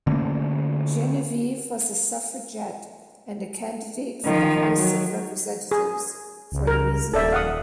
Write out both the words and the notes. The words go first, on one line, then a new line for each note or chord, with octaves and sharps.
Genevieve was a suffragette and a candidate for the House of Representatives for Louisiana.
D3 A3 A#3 C#4
D#3 F3
F#3
G#4
C#2
A#4
D#1 A4 D5 E5
F5 F#5 D#6